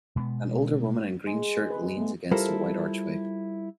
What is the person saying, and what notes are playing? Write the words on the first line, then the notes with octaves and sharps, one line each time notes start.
An older woman in a green shirt leans against a white archway.
B2 G#3 A#3 B3
G#3
B4
A3 B3
G3 E4 F4 A4 A#4 C5